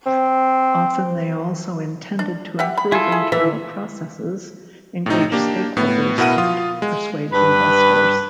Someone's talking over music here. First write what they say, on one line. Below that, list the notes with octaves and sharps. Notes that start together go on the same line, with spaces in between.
Often they also intended to improve internal processes, engage stakeholders and persuade investors.
C4
D4
G4 E5 F#5
B5
E4 F4 G#4 A4
G#4
E3 A4 E5
A2 C3 D#4
A#3 D4 G4
A2 B3
B2 E4 A#4 F#5 D#7
F4 F5 D#6
G#3
G2 B4